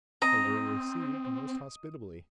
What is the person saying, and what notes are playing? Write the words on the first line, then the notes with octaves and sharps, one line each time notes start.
They were received most hospitably.
C4 D#5 A#5